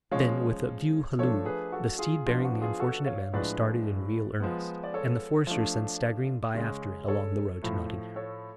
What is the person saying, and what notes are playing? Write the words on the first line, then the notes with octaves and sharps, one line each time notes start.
Then, with a "view halloo," the steed bearing the unfortunate man was started in real earnest; and the foresters sent staggering by after it along the road to Nottingham.
F3 G#3 C#4 C#5 F5
F3 A3 D4 A4 C#5
G#4 B4
F#4 A4
F4 G#4
F3 B3 D4 F4
F#4
F4 G#4
F#4 A4
C#5 F5
A2 F3 G#3 D4 B4 D5
F3 G#3 B3
D5
A4 C#5
F3 A3 D4
C#3 G#3 C#4
A4 C#5
A2 F3 A3
A4 C#5